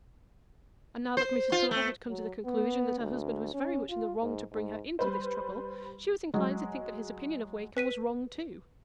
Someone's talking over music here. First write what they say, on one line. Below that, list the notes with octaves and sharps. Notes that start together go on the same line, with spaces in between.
And now that Mrs. Tulliver had come to the conclusion that her husband was very much in the wrong to bring her into this trouble, she was inclined to think that his opinion of Wakem was wrong too.
C5
F4
A3
F#3
B3
D2
C#4
F4
G#2
G#2
G3 B4 C5
F#3 G#3
B4 B6 D#7